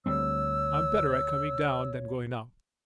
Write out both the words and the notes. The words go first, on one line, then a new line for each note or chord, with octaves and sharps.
"I'm better at coming down than going up."
D2 G3 C4 C#5 E6